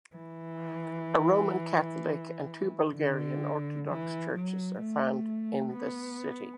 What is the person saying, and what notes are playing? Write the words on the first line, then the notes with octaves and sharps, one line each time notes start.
A Roman Catholic and two Bulgarian Orthodox churches are found in the city.
E3
D3
E3
F#3
A3
B3